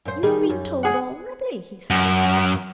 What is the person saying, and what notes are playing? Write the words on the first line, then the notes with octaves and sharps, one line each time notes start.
'You have been told already?' he said.
F#2 C5
D#3 G3 D#4 G#4
F#2
G#4 F#5
F#2